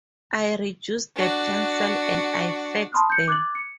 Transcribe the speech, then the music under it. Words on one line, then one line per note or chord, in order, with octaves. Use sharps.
I reduce the pencils and I fax them.
D4 F#4
A5 B5 C6 D#6 F6 F#6
G6 C#7
D6 F#6 G#6 A6 F#7
C#7